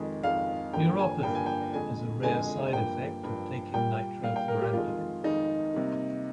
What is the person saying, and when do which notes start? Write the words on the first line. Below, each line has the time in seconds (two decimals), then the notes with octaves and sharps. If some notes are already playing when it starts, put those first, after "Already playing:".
Neuropathy is a rare side effect of taking nitrofurantoin.
Already playing: F2 D#3 G#3
0.23 F2 D#3 G#3 F5
0.73 G2 D3 F3 A#3 G5
0.99 G#5
1.23 G2 D3 F3 A#3 G5
1.35 G#5
1.46 G5
1.73 F2 D3 G#3 G#5
2.23 F2 D3 G#3 G#5
2.73 G2 F3 A#3 G5
3.23 G2 F3 A#3
3.74 A#2 G3 A#3 G5
4.23 A#2 G3 A#3 F5
4.36 G5
4.48 A#4
4.61 G4
4.73 F2 D#3 G#3 F4
5.23 F2 D#3 G#3 D#4
5.74 C3 G3 A#3